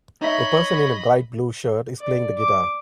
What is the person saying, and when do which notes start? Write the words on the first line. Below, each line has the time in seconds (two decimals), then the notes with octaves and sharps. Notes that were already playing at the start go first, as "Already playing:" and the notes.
A person in a bright blue shirt is playing the guitar.
0.22 D#4 C#5 D#5 E5 B5
1.99 D5
2.37 D6